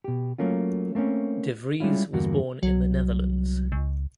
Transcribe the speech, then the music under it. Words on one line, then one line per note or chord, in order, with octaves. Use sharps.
De Vries was born in The Netherlands.
B2 G4
F#3 A3 A#3 C#4 F4
A3 A#3 C4 C#4
G3 G#3 C#4 E4 F4
E2 G2 D3 A#3 F#4
C2 F#3
C#2